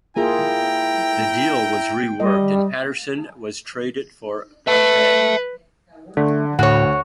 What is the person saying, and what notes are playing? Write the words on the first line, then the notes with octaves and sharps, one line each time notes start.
The deal was reworked and Patterson was traded for Paquette.
A#3 E4 F4 G#4 G5 A#5
G3 D#5
B4 E5 A5
D3 A3
D2 A2 F#4 C#5